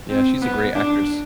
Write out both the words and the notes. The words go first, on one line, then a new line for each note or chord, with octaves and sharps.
Yeah, she's a great actress.
C4
B3
D4